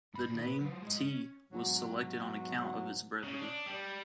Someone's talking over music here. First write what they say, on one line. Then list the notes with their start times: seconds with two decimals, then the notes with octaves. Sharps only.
The name "Tea" was selected on account of its brevity.
0.15 G2 B5
0.30 A#2 D#3
0.43 B4
0.61 F#3 F4
0.82 G#3 D#4
1.02 C#4
1.51 G#2 B2 F#3
3.24 C#3
3.40 D4
3.67 G3